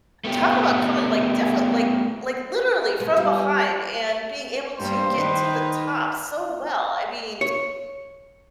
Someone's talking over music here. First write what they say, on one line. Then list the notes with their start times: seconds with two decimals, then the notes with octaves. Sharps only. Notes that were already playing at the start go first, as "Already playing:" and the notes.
talk about coming like, different like like, literally from behind and being able to get to the top so well, I mean,
0.24 A3 B3 G4
3.00 B2 G#3 A3 B4
3.17 G3 G4 F5
3.31 G#5
3.47 A5
4.79 G2 A#3 C5
5.13 D#3 D#4 B4
7.41 C#5